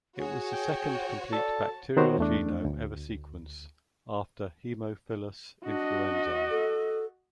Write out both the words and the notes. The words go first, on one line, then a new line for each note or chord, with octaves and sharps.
It was the second complete bacterial genome ever sequenced, after "Haemophilus influenzae".
F#4 G#4 C#5
G5
A4 D5 A5
D#3 B3 F#4 A#4 C5 C#5
E2 A3 D4
D2
D4 F#4 D#5
A4